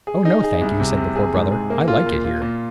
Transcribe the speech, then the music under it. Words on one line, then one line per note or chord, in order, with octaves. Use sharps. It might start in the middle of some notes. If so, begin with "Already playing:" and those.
"Oh no, thank you," said the Poor Brother, "I like it here."
G#4
D#4
G#4
C2
C3
C3
G#4
G#2
G#4
A#3
F4
A#2
F4
A#2